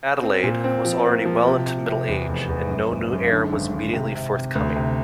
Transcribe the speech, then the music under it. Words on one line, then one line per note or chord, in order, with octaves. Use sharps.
Adelaide was already well into middle age and no new heir was immediately forthcoming.
C4
A#2
C4
F3
A#3
F3
C3
C3
C3
E2
F1
E2
F#2
G#1
F#2
D3
G#1
G#1
C3
C3
C3
D2
C3